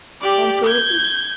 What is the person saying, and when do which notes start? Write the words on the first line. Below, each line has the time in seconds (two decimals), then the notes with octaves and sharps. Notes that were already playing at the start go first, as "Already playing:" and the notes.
On purpose.
0.22 G4 D5
0.66 G6 G#6